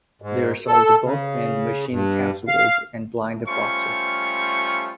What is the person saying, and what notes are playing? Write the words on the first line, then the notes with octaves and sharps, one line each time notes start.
They are sold both in machine capsules and blind boxes.
G#2
A4
C#3
G2
F5
G3 A3 C#4 F4 C5 C#6